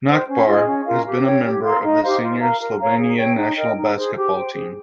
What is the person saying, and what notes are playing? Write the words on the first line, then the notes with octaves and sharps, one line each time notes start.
Nachbar has been a member of the senior Slovenian national basketball team.
C5 G5
C#4
F4 G#4 D#5
C#4
F4 A#4 F5
G4
C#5 G5
G4
A#4 F5 C6
D#4
G4 C5 F5
F4
A#4 F5 A#5
A#4
C#5 F5 A#5
G#4
C#5 G5
D#4
A#4 D#5 G5
D#4
G#4 C5
G4
C5 G5
G#4